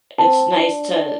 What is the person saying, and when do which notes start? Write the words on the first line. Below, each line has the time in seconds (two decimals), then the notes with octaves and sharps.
It's nice to
0.18 C4 A5
0.56 D4